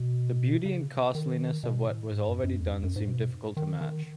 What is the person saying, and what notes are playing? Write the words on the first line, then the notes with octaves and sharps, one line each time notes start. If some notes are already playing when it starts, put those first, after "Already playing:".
The beauty and costliness of what was already done seemed difficult to match.
Already playing: B2
C#3
D#3
B2
A2
G#2
F#2
F#2
E2
F#2
F#2
G#2
B2
D#3
D#3